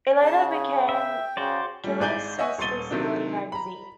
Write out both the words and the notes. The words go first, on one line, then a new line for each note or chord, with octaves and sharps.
It later became "Killers Mystery Story Magazine".
C#3 A5
G#4
E5 G5
C#3 F#4 C5 D5
G3 A3
G#1 G#3 D5 G#5 G6 G7
C#5 D#5 E5 F#5 G#5 C#6
D#1 C6 C#6 A6 D#7 G7
C3 D#3 F#3 D4
A#5 B5